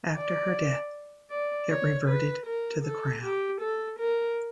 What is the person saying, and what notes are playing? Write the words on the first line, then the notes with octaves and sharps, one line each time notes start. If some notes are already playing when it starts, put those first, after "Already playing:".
After her death, it reverted to the crown.
D5
D5
C#5
B4
A#4
A4
G4
A4
A#4